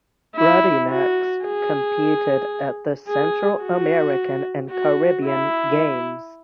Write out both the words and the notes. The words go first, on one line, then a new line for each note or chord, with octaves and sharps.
Rutty next competed at the Central American and Caribbean Games.
E4
F#4
G#4
G#4
F#4
F#4
E4